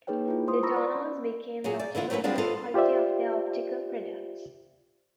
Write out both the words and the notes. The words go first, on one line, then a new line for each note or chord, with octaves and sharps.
The Dollonds became notable for the quality of their optical products.
A#3 D#4 G#4 B4 C#5 G5
E4 F4
F4 C5 C6 D#6
A#5 B5 C#6 E6 A#6
D5
C#4
A#2 F#3 G#4
D5
D3 E3 E4 F4
F#3 A3 A#3 A#4 B4
G3 G#3 B3 C4 D4 F4
F4 A4 B4 C5 D#5
F4 G4 C5 D5 E5